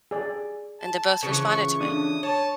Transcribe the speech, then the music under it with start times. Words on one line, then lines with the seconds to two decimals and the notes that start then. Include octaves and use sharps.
and they both responded to me
0.11 G#4 D5
0.81 A5
1.23 C#3 E3 F3 C#6
1.80 D4 D#6
2.23 C#5 A5